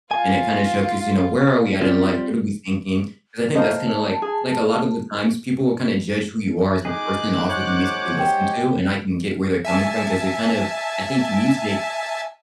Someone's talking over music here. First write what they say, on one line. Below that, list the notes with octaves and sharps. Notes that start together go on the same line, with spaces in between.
and it kinda show 'cause, you know, where are we at in life? What are we thinking? 'Cause I think that's kind of like like, a lot of the times people will kind of judge who you are as a person off of the music you listen to, and I can get where they're coming from 'cause it kind of, I think music,
F4 G#5
G3 C4 F4
A#3 C5 D#5 A5
G#4
G#3 D#4 G#4 D6 F#6
C5 C#5 F#5
G4 G5
E5 G#5 A5